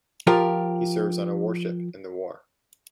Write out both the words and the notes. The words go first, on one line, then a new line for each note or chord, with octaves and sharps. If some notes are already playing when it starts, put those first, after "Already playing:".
He serves on a warship in the war.
F3 F4 G4 A#4